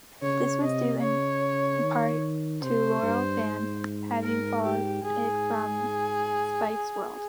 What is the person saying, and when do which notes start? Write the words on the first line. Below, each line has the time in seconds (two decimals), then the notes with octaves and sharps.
This was due in part to loyal fans having followed it from Spike's World.
0.22 C#3 C#5
0.62 C3 D#5
1.02 C#3 C#5
1.83 D#3
2.62 C3 C5
3.02 G2
3.43 G#2
4.22 A#4
4.63 G4
5.03 G#2 G#4